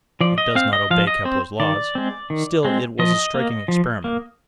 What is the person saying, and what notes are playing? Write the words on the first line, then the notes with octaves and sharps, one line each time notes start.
It does not obey Kepler's laws; still it was a striking experiment.
F3 D5
D#5
C4 F5
D#5
F3 F5
D#5
C4 C5
D#3 D5
G#3 C4
D#3
G#3 C4
F3 D#5
A#3
F3
A#3